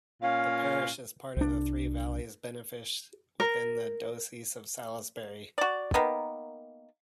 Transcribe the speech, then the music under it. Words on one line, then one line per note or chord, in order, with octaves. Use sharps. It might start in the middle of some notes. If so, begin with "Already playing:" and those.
The parish is part of the Three Valleys benefice within the Diocese of Salisbury.
A#2 C#4 F5
C2 D4
A#4
F#4 D5
D#3 A#3 B3